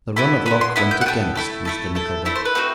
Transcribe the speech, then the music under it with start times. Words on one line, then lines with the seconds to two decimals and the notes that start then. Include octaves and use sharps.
The run of luck went against Mr Nickleby.
0.16 B3 E4 A4 B5
0.46 B3 E4 A4 B5
0.61 C6
0.76 B3 E4 A4 B5
0.91 G5
1.01 F#5
1.06 B3 E4 A4 G5
1.35 A3 E4 A4
1.65 A3 E4 A4
1.95 A3 E4 A4
2.25 A3 E4 A4 E5
2.35 C5
2.45 B4
2.55 A3 C4 D#4 F#4